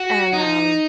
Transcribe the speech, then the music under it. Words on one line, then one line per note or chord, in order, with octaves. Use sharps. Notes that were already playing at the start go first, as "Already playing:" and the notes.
And, um
Already playing: F#4
D#4